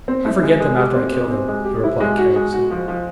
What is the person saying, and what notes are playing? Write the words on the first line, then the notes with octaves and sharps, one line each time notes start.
"I forget them after I kill them," he replied carelessly.
C4
E4
G#3
G#3
G4
C4
C4
C4
G#3
G4
E4
G#3
F#4
G#3
F#4
F3
F3